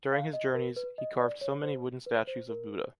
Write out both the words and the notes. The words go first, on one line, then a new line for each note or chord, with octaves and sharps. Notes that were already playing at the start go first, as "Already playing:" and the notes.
During his journeys, he carved so many wooden statues of Buddha.
F5
D#5
A#4
B4
D#5
D5
C#5
C5
B4
C5
A#4